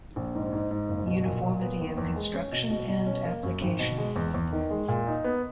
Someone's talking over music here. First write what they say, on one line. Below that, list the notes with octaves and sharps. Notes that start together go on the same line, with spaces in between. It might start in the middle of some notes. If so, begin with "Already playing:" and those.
Uniformity of Construction and Application.
A#1
G#2
G#2
G#2
F#1
B2
A#2
A#2
B3
D#2
E2
G#3
C#4
B2
B2
B2
C#4
A#3
F#2
G#1
B2
G#3
E2
E2
D#3
G#3
A#2
D#4
B3